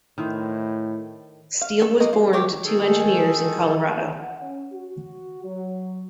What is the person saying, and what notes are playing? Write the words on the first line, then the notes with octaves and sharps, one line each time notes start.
Steele was born to two engineers in Colorado.
A2 D#3 E4 C5
F5
A4
F3 A#3 D#5 A#5
F4
G4 A#4 C#5
D#3 G#4 A4
F#5
C#4
F#4
F#3